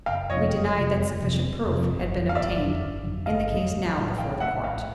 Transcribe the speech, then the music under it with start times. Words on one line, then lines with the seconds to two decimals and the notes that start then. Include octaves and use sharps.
We denied that sufficient proof had been obtained in the case now before the court.
0.06 F#1 F5 G5
0.30 F2 C3 F3 C#5 D#5
0.53 F#1
0.75 F2 C3 F3
0.98 F#1
1.21 F2 C3 F3
1.44 F#1
1.67 F2 C3 F3
1.89 G1
2.12 F2 D3 F#3
2.29 F5
2.35 G1 D5 E5
2.58 F2 D3 F#3
2.81 G1
3.04 F2 D3 F#3
3.26 G1 D#5 F5
3.49 F2 D3 F#3
3.72 A#1
3.95 A2 F#3 A3
4.18 A#1 F5 G5
4.40 A2 F#3 E5 F#5
4.46 A3
4.64 A#1 F5 G5